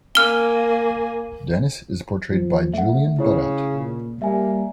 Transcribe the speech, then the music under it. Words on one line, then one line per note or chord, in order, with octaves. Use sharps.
Dennis is portrayed by Julian Barratt.
A#3 G#5 F6 G7
F3
A3 E5 F#5
C#3 E4 C#5
A#2
G3 A#3 E5 G#5